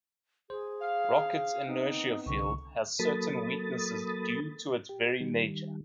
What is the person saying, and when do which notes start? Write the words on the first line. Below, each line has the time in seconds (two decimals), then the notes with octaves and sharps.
Rocket's inertia field has certain weaknesses due to its very nature.
0.50 G#4 C5
0.81 F5
1.67 B3 C4 D#4
2.26 C2 D3 C#6
2.99 F#3 A#3 A4 B5 D#6 A6
4.89 G4
5.20 D#3 G3